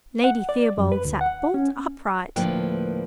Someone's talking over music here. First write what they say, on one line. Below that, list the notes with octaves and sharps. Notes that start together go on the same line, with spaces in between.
Lady Theobald sat bolt upright.
F#5
D5
F#2
B4
D2
F#5
C#4
D2 A2 F3 A#3 B4 G5